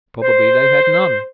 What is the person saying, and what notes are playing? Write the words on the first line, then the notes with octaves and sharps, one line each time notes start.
Probably they had none.
C5